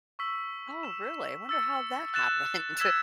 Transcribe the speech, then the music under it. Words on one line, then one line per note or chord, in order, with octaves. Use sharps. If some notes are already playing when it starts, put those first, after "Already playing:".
Oh, really? Wonder how that happened.
C#6 E6 B6 F#7
E6 B6 E7
E6 A6 C#7
F#6 A6 E7
E6 G#6 B6 E7